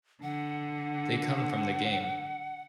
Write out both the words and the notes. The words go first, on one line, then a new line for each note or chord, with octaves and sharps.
They come from the game.
D3 F#5